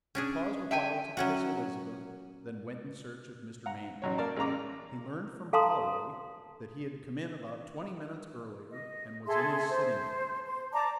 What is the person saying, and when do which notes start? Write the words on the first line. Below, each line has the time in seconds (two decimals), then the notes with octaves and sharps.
He paused a while to kiss Elizabeth, then went in search of Mr. Manley. He learned from Holloway that he had come in about twenty minutes earlier and was in his sitting-room.
0.15 C#4 D4 G#4
0.71 E5 G5 G#5
1.17 F#3 C#4 F#4
3.66 F#5 A#5
4.02 A1 F#3 C#5
4.18 A#3 A#4 D5 A5
4.36 A1 G#3 A#3 A#5 D6
5.53 A4 F5 A5 A#5 C6 D#6
8.69 D#5
9.26 G#4 A4 E5 C6
9.69 C5
10.46 C5
10.73 D5 A5 A#5 D6